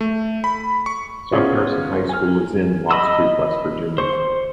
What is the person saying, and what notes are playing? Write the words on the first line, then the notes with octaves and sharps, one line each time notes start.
South Harrison High School is in Lost Creek, West Virginia.
A3
B5
C#6
B3 C#4 F4 G#4 C5 C#5
G#5 F6
D#5 B5 D#6 E6
C5 C#6